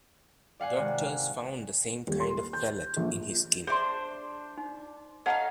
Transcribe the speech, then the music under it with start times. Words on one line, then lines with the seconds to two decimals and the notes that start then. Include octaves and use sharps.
Doctors found the same kind of pellet in his skin.
0.60 D5 F5 F#5 G#5
0.77 G#1 C3
2.07 D#1
2.20 C6
2.53 G6
2.97 A#1
3.67 D4 G#4 C5 E5 C6
4.58 D#4
5.26 C#4 D#4 A4 F5 F#5 A5